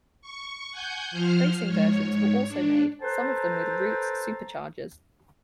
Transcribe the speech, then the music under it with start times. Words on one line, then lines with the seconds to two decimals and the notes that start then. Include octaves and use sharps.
Racing versions were also made, some of them with Roots superchargers.
0.22 C#6
0.71 F#5 G#5 G6
1.11 F3 C5 F6
1.66 G#2 C#5
2.48 D4
3.01 A4 B4 C5 G5 A5 A#5